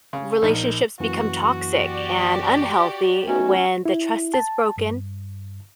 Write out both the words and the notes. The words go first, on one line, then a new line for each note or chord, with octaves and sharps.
relationships become toxic and unhealthy when the trust is broken,
C#3
A#1 D#4 A#4
F#2 E3 A#3 F#4
G4 D5
A3 B3 C#4 D#4 F#4
E4
A5
G2